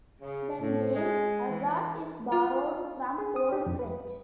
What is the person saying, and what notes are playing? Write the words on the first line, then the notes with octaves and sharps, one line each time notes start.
The name "hazard" is borrowed from Old French.
C#3
A2
G#3
E3
F4
G#4
D#6
G4
F2
B4